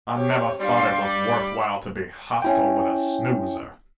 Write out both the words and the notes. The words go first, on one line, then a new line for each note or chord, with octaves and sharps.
I never thought it was worth while to be hostile with a snoozer.
C4 G4 C#5
G3 D4 F5 C6
B5 D6
C#4 E4 G5